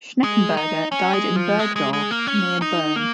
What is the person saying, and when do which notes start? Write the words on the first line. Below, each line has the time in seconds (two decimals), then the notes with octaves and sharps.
Schneckenburger died in Burgdorf near Bern.
0.24 G#3
0.57 D#4
0.92 C#4
1.13 G#3
1.36 F3
1.59 G#3
1.76 G#3
1.93 G#3
2.11 A#3
2.27 C#4
2.62 D#4
2.96 A#3